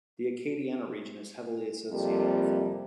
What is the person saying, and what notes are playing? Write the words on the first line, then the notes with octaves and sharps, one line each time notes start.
The Acadiana region is heavily associated with them.
F2 C3 G3 A#3 G4